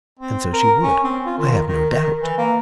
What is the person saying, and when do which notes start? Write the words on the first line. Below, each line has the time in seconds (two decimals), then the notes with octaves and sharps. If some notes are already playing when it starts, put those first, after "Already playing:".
And so she would, I have no doubt.
0.19 C4
0.53 A#4
0.83 C#4
1.04 C4
1.26 F4
1.37 D#3
1.68 D#3
1.90 D#3
2.23 E3
2.38 A#3